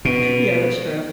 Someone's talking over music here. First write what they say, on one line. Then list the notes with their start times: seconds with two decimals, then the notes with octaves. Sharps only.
Yeah, that's true.
0.05 B2